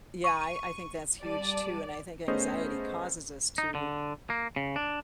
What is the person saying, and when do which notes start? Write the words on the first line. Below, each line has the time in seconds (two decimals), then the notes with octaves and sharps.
Yeah, I I think that is huge too, and I think anxiety causes us to
0.24 C#6 D#7
1.23 G3 D5 A5 D#7
2.28 A3 B3 C#4 G#4 C5 D#5
3.58 D#4
3.75 D3
4.30 A#3
4.56 C#3
4.76 D4